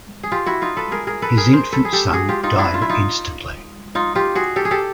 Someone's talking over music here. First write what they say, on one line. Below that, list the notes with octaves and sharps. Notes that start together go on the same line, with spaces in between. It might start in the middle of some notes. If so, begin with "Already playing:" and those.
His infant son died instantly.
G#4
F4 G4
E4 F#4
D#4 F4
A4 B4
G#4 A#4
G#4 A#4
A4 B4
G#4 A#4
A#4 C5
A4 B4
G#4
G4 A4
F#4 G#4
F4 G4
D#4 F4
D4 E4
F4
E4
D#4 F4
D#4 F4
F4 G4
F#4 G#4
G4 A4
G#4
G4 A4